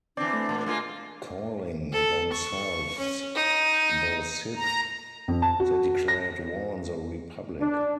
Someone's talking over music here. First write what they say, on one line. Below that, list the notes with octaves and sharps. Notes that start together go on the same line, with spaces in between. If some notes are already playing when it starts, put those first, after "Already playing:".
Calling themselves the Sith, they declared war on the Republic.
E3 C4 D4 D5
A3
A#2
G#3 A#3 F4
A4
C#6
C#4
D#4
A#5
F2
A5
F#4
A#6
D4